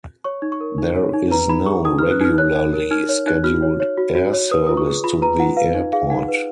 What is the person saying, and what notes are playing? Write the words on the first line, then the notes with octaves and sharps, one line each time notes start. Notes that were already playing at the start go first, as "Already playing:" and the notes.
There is no regularly scheduled air service to the airport.
C#5 C#6
D#4
C#6
A#4
D#4
C#5
D#4
B4 A#5
D#4 B5
G#4 C#6
D#4 D#6
B4 F6
F#6
D#4 F6
C#5 F#6
D#4
A#4
D#4 F6
C#5
D#4 F#6
F#4 F6
C#5
C#5
F#4
F#4
C#5
B4 D#6
F4 D#6
C#6
G#4
F4 B5
B4 A#5
F4 F#5
B4 F5
D#4
G#4 F5
D#4 F#5
B4